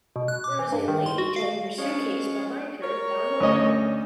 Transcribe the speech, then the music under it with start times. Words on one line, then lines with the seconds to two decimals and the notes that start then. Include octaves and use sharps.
There is a lady towing her suitcase behind her down the road.
0.16 B2
0.28 F#6
0.44 D6
0.59 E3
0.72 G2
0.88 D#3
1.06 C6
1.18 F#4
1.36 F5
1.78 F3 G#3 C#4
2.83 A#4 C#5
3.40 D2 C#4 D#5